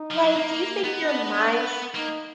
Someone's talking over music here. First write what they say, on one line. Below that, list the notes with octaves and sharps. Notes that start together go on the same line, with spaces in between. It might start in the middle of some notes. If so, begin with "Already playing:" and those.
Like, do you think your minds
Already playing: D#4
F3
F#3
A#3
B3 D#4
D4
A#3 D#4